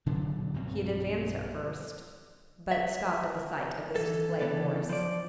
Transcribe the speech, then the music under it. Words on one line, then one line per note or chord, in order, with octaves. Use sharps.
He had advanced at first, but stopped at the sight of this display of force.
A#2 D3 F#3 D4
B1 G2 B2 C4
E5
E3 A4
C#3 E3 B3 D4 A4
F3 D5